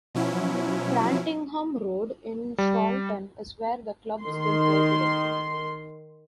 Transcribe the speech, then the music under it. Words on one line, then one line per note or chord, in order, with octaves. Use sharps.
Brantingham Road in Chorlton is where the club still play today.
B2 F3 F#3 C#4 E4
G3
D#3 C6